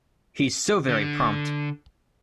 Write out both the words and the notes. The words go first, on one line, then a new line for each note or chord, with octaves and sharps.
He's so very prompt!
D3